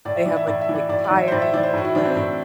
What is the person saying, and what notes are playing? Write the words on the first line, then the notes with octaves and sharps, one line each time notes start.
They have, like, a big tire you can flip
A2 D5
E5
E3 D5
E5
A2 D5
E5
E3
D5
A2 D5
D5
E3
E5
C5
A2 D5
E5
E3 D5
C5
A2 F#4
E4
E3 D4
C4
A2 C4